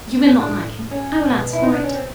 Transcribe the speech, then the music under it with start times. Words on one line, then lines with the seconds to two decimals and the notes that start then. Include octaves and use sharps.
"You will not like him, I will answer for it."
0.23 A2 C#4
0.40 D4
0.91 C#4
1.26 B2
1.53 E4
1.64 D#4
1.74 D4
1.84 C#4
1.95 C4